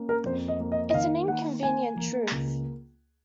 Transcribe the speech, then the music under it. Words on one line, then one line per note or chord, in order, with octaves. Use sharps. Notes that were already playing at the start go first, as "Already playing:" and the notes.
It's an inconvenient truth.
Already playing: A#3 C#4
A#4
F2 C5
D#5
A#3
D#5
D#5
D#3 F5
A#3 F#5
A#3 G#5
A#3
C#2